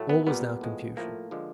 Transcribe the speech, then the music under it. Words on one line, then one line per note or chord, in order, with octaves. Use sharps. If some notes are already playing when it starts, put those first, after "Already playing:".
All was now confusion.
Already playing: A2 F#3 A3
B3
A#2 G3 B3
A2 F3 G#3
A2 F3 A3 A#3
D3 F3 G#3